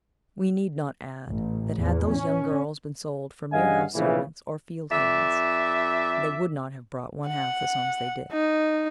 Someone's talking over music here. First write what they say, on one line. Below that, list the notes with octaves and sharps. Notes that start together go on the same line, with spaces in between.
We need not add that had those young girls been sold for mere house servants or field hands, they would not have brought one half the sums they did.
A1
E2
C#4
G2 C#3 D#5 F5 F#5 G#5
A#1 A2 C#3 E3
F2 D5 E5
F#5
D#4